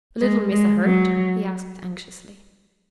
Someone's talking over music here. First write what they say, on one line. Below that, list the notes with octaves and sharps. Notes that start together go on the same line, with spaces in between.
"Little Missa hurt?" he asked anxiously.
G#3
G#3
F#3